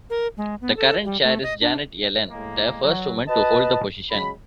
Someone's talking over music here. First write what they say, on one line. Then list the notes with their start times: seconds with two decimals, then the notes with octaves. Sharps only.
The current chair is Janet Yellen, the first woman to hold the position.
0.10 A#4
0.37 G#3
0.61 B3
0.77 A4
1.05 G3
1.23 A3
1.43 D#5
1.61 D4
2.31 A2 G#3 A#3
2.83 F#3
3.28 F#4 B4 D#5 A5
4.10 C#3 F#3 G#3 B5